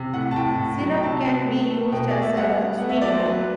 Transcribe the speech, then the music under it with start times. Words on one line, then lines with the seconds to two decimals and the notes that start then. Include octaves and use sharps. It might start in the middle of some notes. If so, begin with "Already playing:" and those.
Syrup can be used as a sweetener.
Already playing: C3
0.13 A2 F#5
0.31 A5
0.36 A2 G5
0.58 A2
0.81 F#3
0.97 G5
1.03 C3 A5
1.25 B3
1.47 A3
1.70 A3
1.92 B2 G5
2.10 A3 D5
2.22 E5
2.37 G3 F#5
2.59 B3
2.78 A3 F#5
2.89 E5
3.01 F#3 D5
3.13 C5
3.25 F#3 B4